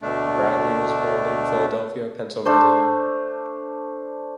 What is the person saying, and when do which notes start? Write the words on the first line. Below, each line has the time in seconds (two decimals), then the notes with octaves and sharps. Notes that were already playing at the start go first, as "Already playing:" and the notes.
Bradley was born in Philadelphia, Pennsylvania.
0.02 D2 B2 A3 D4
2.45 A3 D4 C5